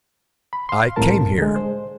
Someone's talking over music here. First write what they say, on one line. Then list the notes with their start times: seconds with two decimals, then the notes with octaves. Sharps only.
I came here.
0.53 B5
0.69 F5 C6
0.96 C2 A2 C3 A#4 A5
1.38 D3 G#3
1.56 C5